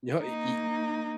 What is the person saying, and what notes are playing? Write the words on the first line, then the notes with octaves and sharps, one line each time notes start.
No, e e
A#3 D#4